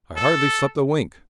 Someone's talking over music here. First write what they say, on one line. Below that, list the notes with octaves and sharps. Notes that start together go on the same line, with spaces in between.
"I hardly slept a wink."
A4